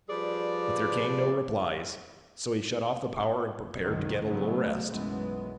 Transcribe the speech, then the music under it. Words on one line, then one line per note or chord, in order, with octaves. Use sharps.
But there came no replies, so he shut off the power, and prepared to get a little rest.
F3 G3 G#4 B4 D5
C2 F#2 D#3 F#3 G#3
C#3 F#3 G#3 A3 B3
B1 F#2 E3 G#3 B3